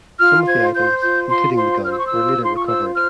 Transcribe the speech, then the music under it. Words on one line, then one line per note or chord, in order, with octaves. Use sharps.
Some of the items, including the gun, were later recovered.
F4 F6
C5 G#6
C5 G6
F4 G6
F4 C6
C5 C6
C5 F6
E6
C#6
F4 E6
F4
C6
C#6
C5 E6
C5 F6